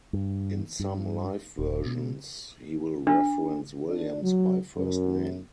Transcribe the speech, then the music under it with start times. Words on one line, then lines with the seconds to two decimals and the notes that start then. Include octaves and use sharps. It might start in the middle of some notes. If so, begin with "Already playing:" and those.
In some live versions, he will reference Williams by first name.
0.13 G2
0.79 G2
1.59 D#1
1.86 B2
3.07 D4
3.87 D4
4.22 F#3
4.76 F#2